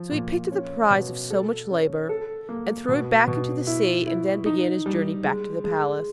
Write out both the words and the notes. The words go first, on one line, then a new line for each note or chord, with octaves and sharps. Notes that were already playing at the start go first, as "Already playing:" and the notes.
So he picked up the prize of so much labour, and threw it back into the sea, and then began his journey back to the palace.
Already playing: F3
A#2
C#4
B2
A4
C#4
A4
A#3
B2
B2
E4
E4
D#4
G3
G#3
G#3